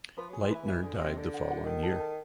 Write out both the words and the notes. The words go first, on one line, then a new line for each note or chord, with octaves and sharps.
Lightner died the following year.
F3 B4
F#3 G#4
F3
E3 B4
E3 B4
D3 G#4
B2
C3 D#5
D3 A4
F#5
F#5
D#3 A4
A4
A4